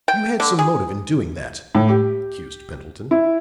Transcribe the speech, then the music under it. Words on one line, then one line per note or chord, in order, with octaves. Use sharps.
"You had some motive in doing that," accused Pendleton.
G5
D3
G#4
A2
G4
E4